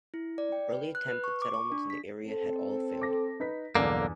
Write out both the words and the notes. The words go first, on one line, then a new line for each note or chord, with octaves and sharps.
Early attempts at settlements in the area had all failed.
E4
D5
G5
B4
F#6
B4
C#6
D6
C#6
D4
B6
C4 A4
D6 A#6
D#4 B4 B6
B1 E2 G2 D3 A#3